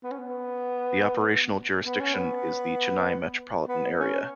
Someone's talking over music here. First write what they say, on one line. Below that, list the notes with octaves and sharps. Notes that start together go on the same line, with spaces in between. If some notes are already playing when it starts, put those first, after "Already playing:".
The operational jurisdiction is the Chennai Metropolitan area.
B3
C#4
B3
B3
C#4
B3
B3
C#4